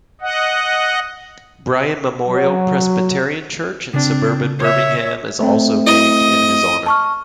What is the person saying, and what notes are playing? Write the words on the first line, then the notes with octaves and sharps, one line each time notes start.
Bryan Memorial Presbyterian church in suburban Birmingham is also named in his honor.
D#5 F#5
F#3
C#3 C4 D4
C#5 E5
A3 C4
E4 D#5
A5 C#6 F6